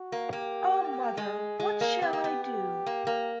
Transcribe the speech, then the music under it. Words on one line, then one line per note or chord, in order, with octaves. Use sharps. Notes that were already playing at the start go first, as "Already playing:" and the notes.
O mother, what shall I do?
Already playing: F#4
A#3
A#3 G4
G#3 G#4
G#3
A#3
B3 G4
A#3
B3
G4
A#3
A#3